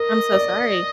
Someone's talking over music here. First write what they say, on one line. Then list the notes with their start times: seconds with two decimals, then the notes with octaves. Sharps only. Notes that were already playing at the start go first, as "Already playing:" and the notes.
I'm so sorry.
Already playing: A#4 D#5
0.32 D5